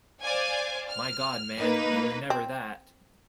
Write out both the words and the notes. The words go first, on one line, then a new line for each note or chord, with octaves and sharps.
My God, man, you were never that.
C5 D5 F5 G#5
F6
A#3 D#4 B4
C4